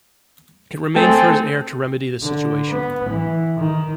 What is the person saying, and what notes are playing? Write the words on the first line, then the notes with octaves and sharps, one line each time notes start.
It remained for his heir to remedy the situation.
A3 C4 G#4 A4 G5
D3
B3
E3
D#3